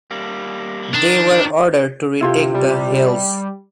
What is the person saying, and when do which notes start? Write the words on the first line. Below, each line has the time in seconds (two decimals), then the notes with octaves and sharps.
They were ordered to retake the hills.
0.11 G3 A#3
0.95 D#3 D4
2.21 C3 E4 F4 G4
2.54 G3